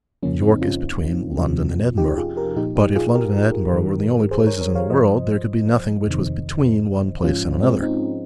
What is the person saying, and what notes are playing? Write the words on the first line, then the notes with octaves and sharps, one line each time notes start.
York is between London and Edinburgh; but if London and Edinburgh were the only places in the world, there could be nothing which was between one place and another.
F2 C#3 F3 A#3 C#4
C4 D#4
C#4 F4
F2 C3 F3
D#4 G4
F4 G#4
G4 A#4
A#2 F3 D#4 G4
D#4 G4
F4 G#4
G4 A#4
G2 D#3
G#4 C5
A#4 C#5
A#4 C#5
C#5 F5
G2 F3 C5 D#5
F2 C3 D#3
G#2 F3 C#4 F4
G#3 C4
C4 D#4